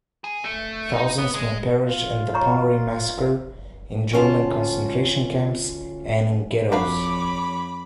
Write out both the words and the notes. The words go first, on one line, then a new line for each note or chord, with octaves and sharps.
Thousands more perished in the Ponary massacre, in German concentration camps, and in ghettos.
G#4
A3
D#4
B3
G#3
F4
C#5 A#5 C#6
D2 C#4 F4 A5
F2 D4 F#4 C#5 F5 B5 D6